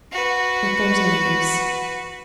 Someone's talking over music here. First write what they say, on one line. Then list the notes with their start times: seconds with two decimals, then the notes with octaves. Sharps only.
But there was no use.
0.12 F#4 B4